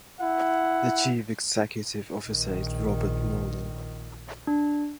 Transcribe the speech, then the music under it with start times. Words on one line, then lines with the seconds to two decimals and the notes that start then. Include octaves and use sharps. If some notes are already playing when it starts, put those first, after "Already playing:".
The Chief Executive Officer is Robert Nolan.
0.20 E4 F#5
2.27 A#1 D#3
4.47 D4